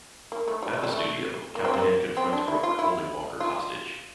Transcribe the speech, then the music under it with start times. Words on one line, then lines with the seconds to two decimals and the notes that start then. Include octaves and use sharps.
At the studio, Callahan confronts Rook holding Walker hostage.
0.32 A#3
0.48 A3
0.63 G3
0.73 A3
0.84 G3
0.93 A3
1.55 A#3
1.65 C4
1.74 A#3
2.17 C4
2.33 D4
2.48 E4
2.63 F4
2.79 E4
3.40 F4